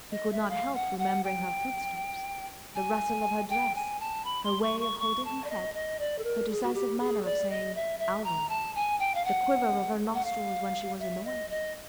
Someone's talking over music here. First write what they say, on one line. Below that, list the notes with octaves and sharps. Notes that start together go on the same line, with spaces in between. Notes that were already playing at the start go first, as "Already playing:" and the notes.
He could not help remembering her footsteps, the rustle of her dress, her way of holding her head, her decisive manner of saying "Alvan," the quiver of her nostrils when she was annoyed.
D#5
E5
F5
F#5
F#5
G5
G#5
G5
G#5
A5
B5
C6
C#6
C#6
C#6
A5
D5
D#5
D#5
D5
A4
A#4
G#4
F#4
G4
G#4
D5
D#5
E5
E5
A#5
A5
G#5
G5
F5
F#5
F#5
F5
E5
D#5
D#5